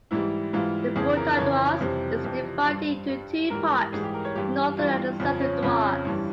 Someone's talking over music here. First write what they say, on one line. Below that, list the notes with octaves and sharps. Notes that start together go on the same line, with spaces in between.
The Bhutan Duars is divided into two parts: the northern and the southern Duars.
G#2 E3 G3 E4
G#2 E3 G3 F4
F2 C#3 E3 G#4
A#4
F2 C#3 E3 C#5
F2 C3 E3 G3 C5
F2 C3 E3 G3
G2 G3
G2 G3
G#2 E3 G3 A#4
G#2 E3 G3 G#4
G4
A#4
C#5
G2 E3 G3 G4
G2 E3 G3 F4
F2 C#3 F3
C#4
F2 C#3 F3 C#4
G2 E3 G3